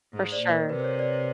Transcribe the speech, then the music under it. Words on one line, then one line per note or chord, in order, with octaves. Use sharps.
for sure.
G#2
C5 D5
A#2
A#4
C3 B4
C5
C#5
C5 D5
C5